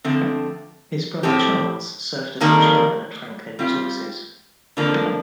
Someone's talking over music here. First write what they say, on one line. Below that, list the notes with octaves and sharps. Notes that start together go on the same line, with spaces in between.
His brother, Charles, served as the Chairman at Franklin Resources.
D3 F3 A3 C4
A2 F3 C4 G4
F2 D#3 G3 A#3
G3 C4 F4
F2 D3 F3 A#3 D4